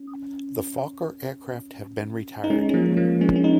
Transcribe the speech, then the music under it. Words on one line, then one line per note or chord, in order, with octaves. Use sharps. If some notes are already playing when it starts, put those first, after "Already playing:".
The Fokker aircraft have been retired.
Already playing: C#4
D#4
G#3 C#4
C#4
F3 A#3
F3 A#3
G#3 C#4
C#4
D#4